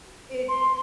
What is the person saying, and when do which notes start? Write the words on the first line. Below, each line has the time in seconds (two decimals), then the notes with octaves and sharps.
i it
0.48 C6